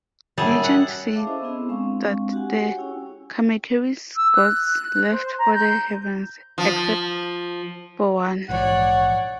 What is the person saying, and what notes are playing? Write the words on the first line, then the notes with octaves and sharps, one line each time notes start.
Legends say that the Kamekeri's gods left for the heavens, except for one.
F#2 G3 G#4 A4
F#5
G#4 A4 E5 F5 A5 D6
C#4 E4 C5 D#5
B3 C4 D4 E4 G#4
G#3 C4 D4 F5 C#6
F#4 G4 F#5 G#5
C#4 E4 G#4 C#5 G5
E6
F#6
C5
A#5
G6
F3
A#1 G#2 E3 C#5 D5 F#5